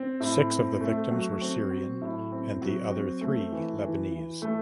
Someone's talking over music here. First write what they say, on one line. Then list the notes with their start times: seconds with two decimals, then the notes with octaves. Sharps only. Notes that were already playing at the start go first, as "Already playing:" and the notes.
Six of the victims were Syrian and the other three Lebanese.
Already playing: C4
0.20 A2
0.51 C4
0.81 A3
1.11 F#3
1.41 C4
1.71 F#3
2.01 A2
2.32 C4
2.62 F#3
2.92 C4
3.21 A3
3.52 E3
3.81 E3
4.12 E3
4.42 A3